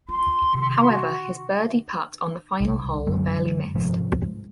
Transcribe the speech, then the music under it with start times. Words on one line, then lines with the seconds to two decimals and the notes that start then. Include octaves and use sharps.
However his birdie putt on the final hole barely missed.
0.09 F4 C6
0.53 C3 D#3
0.88 F#4
2.61 C2
3.07 F#2 D3 F#3 G#3
3.75 G#2 C3 F3 G#3